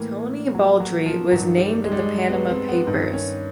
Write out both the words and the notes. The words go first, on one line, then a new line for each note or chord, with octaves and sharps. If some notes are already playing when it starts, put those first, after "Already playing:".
Tony Baldry was named in the Panama Papers.
Already playing: A2 E3 A#3
F#3
F#3
F3
G2 D#3 F#3
G3
G#3
G3
G#3
B3
C4
B3
G2 D#3
C#4